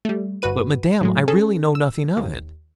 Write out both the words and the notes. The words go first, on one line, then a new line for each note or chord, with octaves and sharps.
'But, Madame, I really know nothing of it.
G3 A3
G1 F#4 B4 D#7
A2 F#3 G#3
C#4 G#4 A4
E6
D#2